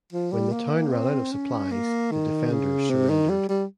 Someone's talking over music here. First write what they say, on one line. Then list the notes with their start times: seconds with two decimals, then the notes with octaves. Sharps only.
When the town ran out of supplies the defenders surrendered.
0.12 F3
0.32 G3
0.52 A#3
0.92 C4
1.32 C#4
1.71 A#3
2.11 D#3
2.50 C#3
2.90 C3
3.10 D#3
3.29 G3
3.49 G3